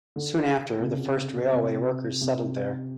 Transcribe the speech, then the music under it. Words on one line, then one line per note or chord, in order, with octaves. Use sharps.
Soon after, the first railway workers settled there.
D3
C3
C#3
C3
C3